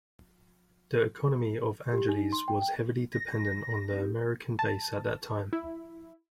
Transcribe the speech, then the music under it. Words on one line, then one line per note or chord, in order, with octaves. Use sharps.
The economy of Angeles was heavily dependent on the American base at that time.
G4
D#4
C6
G5
G5
A#6
C4 D#4 G4
A5
E4